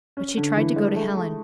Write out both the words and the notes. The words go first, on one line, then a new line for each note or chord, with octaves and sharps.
But she tried to go to Helen.
C#4
D3
E3
G#3
A3
A3